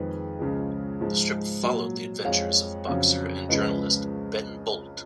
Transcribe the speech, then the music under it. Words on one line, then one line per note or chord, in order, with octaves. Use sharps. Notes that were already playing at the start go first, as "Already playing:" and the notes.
The strip followed the adventures of boxer and journalist Ben Bolt.
Already playing: F2 D#3 G#3 G#4 B4
C#2 C#3 F3 G#3
G#2 F3 G#3
A#2 F#3
F2 F3 G#3 C#5 F5
F2 C#3 F#3 C#5 F5
C#2 C#3 F3 G#3 B4 D#5